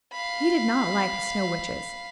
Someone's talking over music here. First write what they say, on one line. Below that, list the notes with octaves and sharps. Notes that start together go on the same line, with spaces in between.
He did not like the Snow Witches.
F5 B5